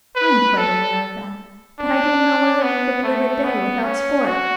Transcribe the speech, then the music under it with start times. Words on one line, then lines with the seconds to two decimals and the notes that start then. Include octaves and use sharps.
"I am quite aware of that, but I didn't know whether you could live a day without sport."
0.16 B4
0.57 A4
1.80 D4
2.62 B3
3.03 A3
3.44 B3
3.84 C#4
4.26 F#4